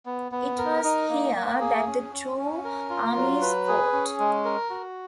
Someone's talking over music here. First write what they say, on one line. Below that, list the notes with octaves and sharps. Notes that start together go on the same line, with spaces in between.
It was here that the two armies fought.
B3
B3
A#4
D#4
A#3
A#3
G#4
C#4
C#4
C#4
A#4
F4
F#3
B4
G#4
C#4
G#3
A#4
F#4